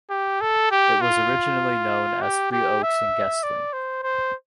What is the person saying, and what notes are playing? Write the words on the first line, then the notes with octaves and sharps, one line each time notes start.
It was originally known as Three Oaks and Guestling.
G4
A4
G4
F4
G4
G4
E5
D5
C5
C5